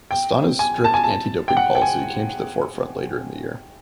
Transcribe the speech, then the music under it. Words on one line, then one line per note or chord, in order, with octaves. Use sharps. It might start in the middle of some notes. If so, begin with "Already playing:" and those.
Astana's strict anti-doping policy came to the forefront later in the year.
G5
G#5
A5
G#5
A5
G5
F#5
G5
G#5